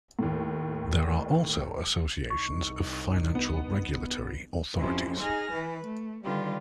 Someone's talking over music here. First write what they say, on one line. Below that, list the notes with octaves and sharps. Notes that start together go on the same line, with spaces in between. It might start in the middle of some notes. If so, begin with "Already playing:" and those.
There are also associations of financial regulatory authorities.
D#2 A2
C2 D#4 C#6
B3
F2 C3 F3 C#4 E4
D#4 G#4 G#5 F6 A#6
E3 B4
A3
D3 D#3 G3 F4 G4 B4